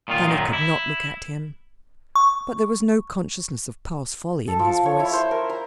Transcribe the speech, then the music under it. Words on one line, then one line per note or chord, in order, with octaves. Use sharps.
Fanny could not look at him, but there was no consciousness of past folly in his voice.
A#2 D#3 F4
F#2 A#2 D#3
E4
C#6
A4
F3
C#5
E4
C5
A#4
A#5